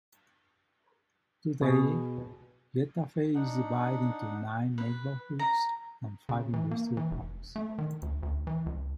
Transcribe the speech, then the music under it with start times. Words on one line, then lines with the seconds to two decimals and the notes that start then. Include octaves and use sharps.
Today, Getafe is divided into nine neighbourhoods and five industrial parks.
1.61 B2 G#4
3.35 D4 D#4 F#5
4.78 B4
5.39 A#5
6.29 C#3
6.54 E3
6.71 A#3
6.97 E3
7.11 F1
7.56 A3
7.78 D#3
8.03 D2
8.23 D2
8.47 E3
8.66 C#2